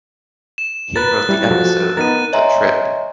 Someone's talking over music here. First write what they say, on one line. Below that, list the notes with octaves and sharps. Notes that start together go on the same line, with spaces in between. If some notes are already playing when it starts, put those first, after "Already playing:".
He wrote the episode "The Trip".
E7
A#4 B4 F#6 A6
G3 E4
F3 F#4 A4
B3 D#4 A#4 A6 D#7
C#5 D#5 E5 G#5 A#5 C6